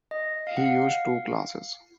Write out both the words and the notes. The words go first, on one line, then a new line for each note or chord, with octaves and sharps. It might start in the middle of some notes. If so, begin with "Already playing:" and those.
He used two classes.
D#5
F5
F#5
F5